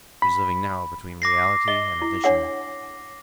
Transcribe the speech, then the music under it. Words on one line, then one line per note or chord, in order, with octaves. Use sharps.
She was living now between reality and a vision.
B5
D6 A#6 C7
D#5 G7
E4
D4 C#5 F#5